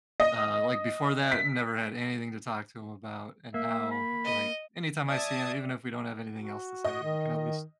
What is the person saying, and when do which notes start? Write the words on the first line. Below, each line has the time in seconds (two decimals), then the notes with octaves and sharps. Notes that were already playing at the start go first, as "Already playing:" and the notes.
uh, like before that, never had anything to talk to him about, and now, like, anytime I see him, even if we don't have anything else to say, we can at least
0.20 D#5
1.32 B6
3.54 A#3 E5
3.91 B5
4.25 D#5
5.07 D5 E5 A5 D#6 G#6
6.36 F#4
6.85 D#5 D#6
7.03 D#3